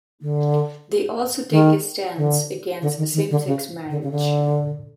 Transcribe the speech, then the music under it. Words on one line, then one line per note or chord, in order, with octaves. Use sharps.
They also take a stance against same-sex marriage.
D3
D#3
D3
D3
D#3
D#3
D3
C#3
D3
C#3
D3